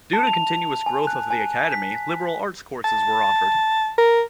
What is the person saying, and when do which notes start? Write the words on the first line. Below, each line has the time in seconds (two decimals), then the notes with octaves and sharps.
Due to continuous growth of the Academy, liberal arts courses were offered.
0.13 A5
0.27 F7
0.86 G#5
1.07 F#6
1.31 G#5
1.72 B6
2.84 A5
3.98 A#4